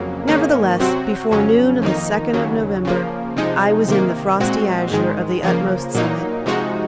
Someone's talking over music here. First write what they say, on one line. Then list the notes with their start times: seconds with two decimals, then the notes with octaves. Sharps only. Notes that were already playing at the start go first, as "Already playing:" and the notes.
Nevertheless, before noon of the second of November I was in the frosty azure of the utmost summit.
Already playing: F2 C#3 F#3 A#3
0.28 G#2 D#3 A#3 C#4
0.80 C3 F#3 C4 F#4
1.31 F2 C#3 F#3 C#4
1.82 F2 D#3 A#3 D#4
2.33 D#2 C#3 F#3
2.85 C#3 F3 A#3
3.36 C3 F3 G#3 D#4
3.88 C3 D#3 A#3
4.40 A#2 G#3 C4 F#4
4.91 G#2 D#3 G#3
5.43 C#3 F3 A#3
5.95 A#2 F#3 A#3 D#4
6.46 C3 F3 G#3 D#4 F#4